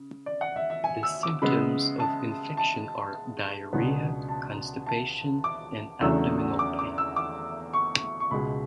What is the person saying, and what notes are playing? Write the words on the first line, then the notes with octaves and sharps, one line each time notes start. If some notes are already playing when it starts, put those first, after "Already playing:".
The symptoms of infection are diarrhea, constipation, and abdominal pain.
Already playing: C#3
D5
F#5
E5
E5
G#5
E6
D6
C#3 G#3 B3 B5
A5
A5
C#2 B2 F#3 B3 D4
A5
A5
D6
E2 C#3 F#3 A3 D4 E6
D6
D6
E6
D6
C#6
C#6
C#2 B2 G#3 B5